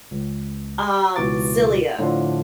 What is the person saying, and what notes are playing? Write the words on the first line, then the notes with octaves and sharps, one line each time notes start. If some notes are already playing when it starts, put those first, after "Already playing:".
um, Xillia.
C#2
C#2 B2 E3 F#4 D6 A6
A2 D3 F3 F4